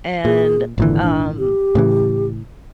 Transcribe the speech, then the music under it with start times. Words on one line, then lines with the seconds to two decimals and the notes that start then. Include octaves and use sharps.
and, um
0.25 A#2 G#4
0.78 G#1 A#2 D3 E3
1.03 D4
1.39 G4
1.75 A2 C#3 E3